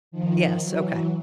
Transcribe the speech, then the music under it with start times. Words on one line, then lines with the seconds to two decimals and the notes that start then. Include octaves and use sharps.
Yes, okay.
0.11 D#3 F3
0.62 E3 F#3